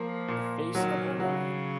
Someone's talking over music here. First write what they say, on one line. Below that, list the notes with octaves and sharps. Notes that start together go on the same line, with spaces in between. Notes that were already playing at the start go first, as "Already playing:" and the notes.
The face of Orion.
Already playing: F3 A#3
A#2
D#3 F#3
C#3 F#3